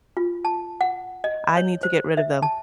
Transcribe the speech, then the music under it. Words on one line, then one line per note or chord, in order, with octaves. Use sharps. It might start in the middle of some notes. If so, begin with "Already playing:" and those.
I need to get rid of them.
F4
A5
F#5
D#5
C#5
C5
E5
A5